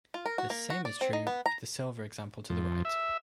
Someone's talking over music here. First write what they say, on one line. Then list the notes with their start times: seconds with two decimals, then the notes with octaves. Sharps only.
The same is true with the silver example to the right.
0.14 F4
0.26 A#4
0.38 F#4
0.50 A#3
0.70 F#4
0.85 D5
1.01 C4
1.13 D#4
1.27 B3
1.46 A#5
2.50 F2
2.85 E5